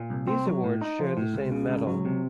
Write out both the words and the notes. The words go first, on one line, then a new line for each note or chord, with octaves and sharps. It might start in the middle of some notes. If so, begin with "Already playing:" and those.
These awards share the same medal.
Already playing: A#2
C2
C4
F#3
A2
D#4
F3
A2
C#2
C#3
C#2
F#3
C3